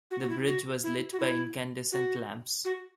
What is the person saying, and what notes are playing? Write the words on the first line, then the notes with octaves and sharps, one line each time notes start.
The bridge was lit by incandescent lamps.
F#4
F#4
E4
F#4
E4
F#4
E4
F#4
F#4